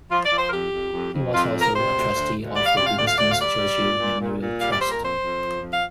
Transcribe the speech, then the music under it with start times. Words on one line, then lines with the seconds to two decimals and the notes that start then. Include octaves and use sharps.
He was also a trustee of the Winston Churchill Memorial Trust.
0.11 F3 F4
0.25 D5
0.32 F3
0.38 C5
0.47 A#4
0.52 F2 G4
0.72 F2
0.93 F2
1.13 F2
1.34 F2 F4
1.54 F3
1.61 A#4
1.74 C3 C5
1.95 D2
2.15 D2
2.36 D2
2.56 G3 D5
2.66 F5
2.76 C3 D5
2.86 F5
2.97 D2 D5
3.07 F5
3.17 D2 D5
3.32 F5
3.37 G3 D5
3.58 G3
3.78 A#2
3.99 A#2
4.19 A#2
4.40 A#2
4.60 G3 F5
4.70 D5
4.80 A#2 C5
4.91 A#4
5.01 F2 C5
5.21 F2
5.42 F3
5.62 F2
5.73 F5